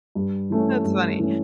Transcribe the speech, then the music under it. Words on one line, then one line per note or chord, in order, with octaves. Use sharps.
That's funny.
G2
E3 A3 C#4
G2
E3 A3 C#4